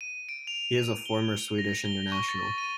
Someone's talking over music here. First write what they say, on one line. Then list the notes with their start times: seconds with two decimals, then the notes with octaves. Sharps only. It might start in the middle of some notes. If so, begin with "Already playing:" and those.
He is a former Swedish international.
0.01 D#7
0.29 D7
0.47 F7
1.06 G7
1.58 A#6
1.85 G7
2.12 C#6
2.29 A6
2.58 D#7